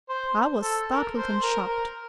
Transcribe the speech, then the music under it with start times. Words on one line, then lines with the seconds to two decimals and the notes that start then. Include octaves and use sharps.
I was startled and shocked.
0.09 C5
0.62 A4
0.89 A#4
1.16 C5
1.42 A#4
1.67 A#4